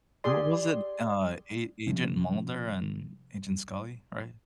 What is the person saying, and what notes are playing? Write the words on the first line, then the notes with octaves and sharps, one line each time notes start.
What was it, uh, A Agent Mulder and Agent Scully, right?
G4 G#4 D5 C6
C3 F3 C#4